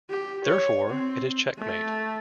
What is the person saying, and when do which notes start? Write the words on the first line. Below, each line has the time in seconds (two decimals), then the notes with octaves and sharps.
Therefore, it is checkmate.
0.10 G4
0.45 C#5
0.89 C4
1.58 A3